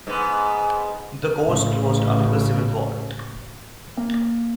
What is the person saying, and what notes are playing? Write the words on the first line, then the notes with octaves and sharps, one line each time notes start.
The course closed after the Civil War.
G#2 B3
A1 C#3
A#3